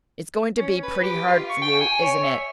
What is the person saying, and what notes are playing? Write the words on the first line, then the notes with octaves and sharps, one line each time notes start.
"It's going to be pretty hard for you, isn't it?"
C#4
B4
G4
F4
C#6
G5
G#5
C#5
E5